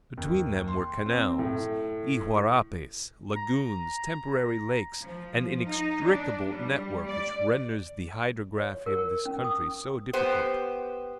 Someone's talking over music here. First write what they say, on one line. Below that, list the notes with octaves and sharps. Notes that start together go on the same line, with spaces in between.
Between them were canals, iguarapes, lagoons, temporary lakes, an inextricable network which renders the hydrography of this country so difficult.
D#2
C6
C4
A2
A#5
F3
D#4
D4
G3
D5
C#5
A#4
C#4
D#6
B3 G4 C5